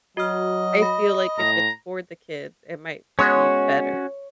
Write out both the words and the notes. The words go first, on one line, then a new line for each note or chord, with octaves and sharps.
I feel like if it's for the kids, it might be better.
F#3 F#4 D#5 F6
B5 A#6
A2 A#5
G#3 B3 C#4 F#4 C#5